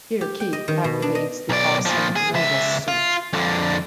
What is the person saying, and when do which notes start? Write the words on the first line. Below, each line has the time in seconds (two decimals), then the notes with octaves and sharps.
Here Keith activates the awesome Nova Suit.
0.21 G4
0.40 G5
0.53 D#5
0.68 D#3
0.84 B2
1.02 D4
1.15 D#5
1.49 B1 D5
1.85 A#2 F3
2.16 G#4
2.34 C#2 E5
2.88 F4
3.33 F2 D3